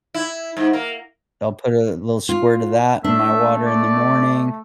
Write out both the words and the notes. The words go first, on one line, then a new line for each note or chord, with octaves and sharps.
I'll put a little squirt of that in my water in the morning,
E4
G#2
A#3
F4
A3 D4 E5
D5